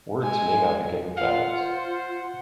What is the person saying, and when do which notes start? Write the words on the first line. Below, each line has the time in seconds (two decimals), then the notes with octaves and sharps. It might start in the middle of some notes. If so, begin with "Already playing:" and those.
Words may not begin with vowels.
0.22 G#3 G#5
1.17 F4 F5 F#5
1.57 C5